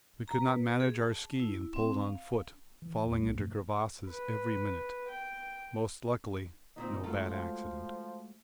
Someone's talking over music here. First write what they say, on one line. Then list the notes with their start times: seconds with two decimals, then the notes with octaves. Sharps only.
We could not manage our ski and pulled on foot, falling into crevasses every minute--most luckily no bad accident.
0.28 A#5
0.41 B4
0.80 G#4
0.99 A5
1.40 E4
1.74 C4
1.92 F5
2.82 E3
3.06 E2
3.19 B1 G3
3.34 G2 B2 F3 A3
4.07 B4
5.08 G5
6.76 D2 A#2 C4 D#4
7.04 D#3 G#3 A3 F4 F#4 A4
7.26 F3